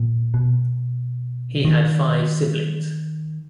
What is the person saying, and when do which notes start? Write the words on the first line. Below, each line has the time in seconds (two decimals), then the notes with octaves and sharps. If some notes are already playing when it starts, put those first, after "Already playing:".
He had five siblings.
Already playing: A#2
0.34 B2
1.65 D#3